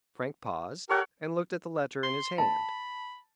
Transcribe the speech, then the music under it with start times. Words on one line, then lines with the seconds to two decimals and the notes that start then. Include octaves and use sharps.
Frank paused, and looked at the letter in his hand.
0.89 G4 A4 A#4 C#5 F#5
2.03 C6
2.38 A5 B5